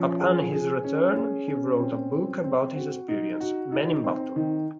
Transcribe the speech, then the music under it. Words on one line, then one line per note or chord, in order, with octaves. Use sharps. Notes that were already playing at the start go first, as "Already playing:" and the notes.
Upon his return, he wrote a book about his experiences, "Men in Battle".
Already playing: F3 C#4
G#4
G#4
C#4
G#4
C#4
C4
C4
C4
F#4
D#4
F#4
D#4
C4
D#3